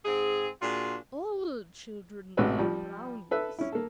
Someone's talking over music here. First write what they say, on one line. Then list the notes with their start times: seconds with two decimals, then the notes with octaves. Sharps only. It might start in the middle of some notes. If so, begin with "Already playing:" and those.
"All children are brownies."
0.05 G#2 C4 G#4
0.61 A#2 D4 F4 F#4 G#4
2.37 A1 C3 G#3 F#4 B4 E5
2.58 F3 G3
3.31 A4 B4 E5
3.59 C#4 E4
3.72 A#3 A4